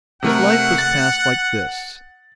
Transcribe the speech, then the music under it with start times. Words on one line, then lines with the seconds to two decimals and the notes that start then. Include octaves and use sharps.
His life was passed like this.
0.23 C3 A3 A#4 F#5
0.78 A6